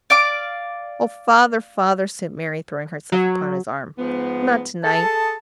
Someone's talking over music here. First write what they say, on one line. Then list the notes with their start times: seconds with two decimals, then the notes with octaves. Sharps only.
'Oh, father, father!' said Mary, throwing herself upon his arm,--'not to-night!
0.10 D5 F5 D6
3.12 F#3
3.98 G#2 F3 B3
4.84 G#4 A4 A5